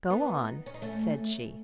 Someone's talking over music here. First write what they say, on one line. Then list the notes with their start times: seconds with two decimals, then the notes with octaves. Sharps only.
"Go on," said she.
0.10 B3 D#4
0.66 C#4
0.74 D#4
0.82 A3 C#4